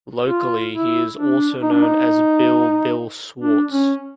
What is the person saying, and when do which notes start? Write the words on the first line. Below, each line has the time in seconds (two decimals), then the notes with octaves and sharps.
Locally he is also known as "Bill Bill" Swartz.
0.27 F4
0.73 E4
1.17 D4
1.62 D#4
1.72 D4
1.83 D#4
3.41 D4
3.71 C#4